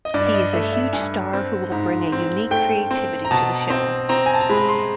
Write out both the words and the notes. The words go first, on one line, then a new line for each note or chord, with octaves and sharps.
He is a huge star who will bring a unique creativity to the show.
D#5
G2 D5
D5
D#5
A3 E5
E5
G2 G#5
C4
G#2
C4
A3 G5
C4
A#5
B2 A5
C4
C4 A#5
G#5
A5
A#5
G#3 B5
C6